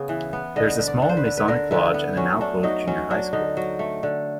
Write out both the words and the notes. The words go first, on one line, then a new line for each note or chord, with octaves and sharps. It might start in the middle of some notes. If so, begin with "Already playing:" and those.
There is a small Masonic lodge and a now-closed junior high school.
Already playing: C#3 B3
E3
B3
D3 D#5
D3
D5
D3
C5
B4
D3
B4
D3 A#4
D3 E4
B3
F#3 C#4
A3 D4
F#3 D#4
F#3 C#4
F#3 D4
D3 D#4
F#3
A3
D3